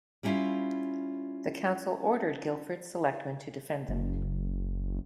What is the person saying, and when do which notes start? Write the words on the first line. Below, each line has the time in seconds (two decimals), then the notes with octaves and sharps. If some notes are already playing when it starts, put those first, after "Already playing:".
The Council ordered Guilford's selectmen to defend them.
0.23 G3 C#4 D4 E4 F4 F5
3.89 F#1